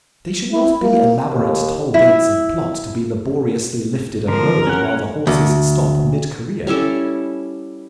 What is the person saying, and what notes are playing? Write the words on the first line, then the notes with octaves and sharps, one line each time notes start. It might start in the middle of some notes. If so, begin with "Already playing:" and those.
They should not be elaborate toll-gates of plot, to be laboriously lifted and lowered while the horses stop, mid-career.
E4
A#3
D#2
E4
D3 F3 A#4
C#4 F#5
D2
G3 C#4 E4 A4